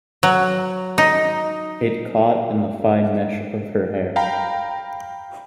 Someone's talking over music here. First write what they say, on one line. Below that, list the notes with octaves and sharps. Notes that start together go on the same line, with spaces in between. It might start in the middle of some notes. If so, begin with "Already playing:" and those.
It caught in the fine mesh of her hair.
F#3
D#4
F5 G5 A#5 B5